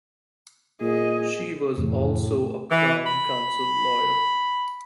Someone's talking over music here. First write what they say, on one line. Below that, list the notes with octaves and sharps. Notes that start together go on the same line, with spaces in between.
She was also a Crown Counsel lawyer.
A#2 G#4 D#5
F2 A2 C3 E3
E3
B5